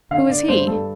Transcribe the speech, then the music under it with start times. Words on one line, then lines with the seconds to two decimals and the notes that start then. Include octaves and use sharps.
"Who is he?"
0.11 D3 F5
0.29 D3 D5
0.48 G2 C5
0.66 G2 A4